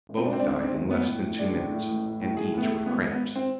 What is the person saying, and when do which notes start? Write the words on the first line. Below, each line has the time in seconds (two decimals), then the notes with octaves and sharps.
Both died in less than two minutes, and each with cramps.
0.09 G#1
0.17 C4
0.25 G#1 D4
0.33 C4
0.40 G#1 D4
0.47 C4
0.56 D4
0.59 G#2 C4
0.74 G#1
0.91 A1 B3
1.07 A2
1.24 A2
1.39 G#3 D4
1.56 A2
1.72 A2
1.88 A1
2.05 A2
2.21 A2
2.37 A2 G#4
2.54 A2 B3
2.62 A3
2.71 G#3
2.86 G#1 B3
3.02 G#1
3.11 B3
3.18 G#1
3.36 C4